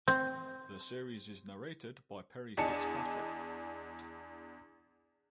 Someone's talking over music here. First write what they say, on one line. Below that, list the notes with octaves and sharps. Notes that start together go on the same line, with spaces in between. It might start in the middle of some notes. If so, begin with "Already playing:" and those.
The series is narrated by Perry Fitzpatrick.
C4
E2 D4 D#5 G#5 A5 C#7